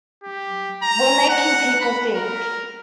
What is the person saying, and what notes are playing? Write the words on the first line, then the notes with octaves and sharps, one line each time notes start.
We're making people think.
G4
A#5
F#5
B5
A#4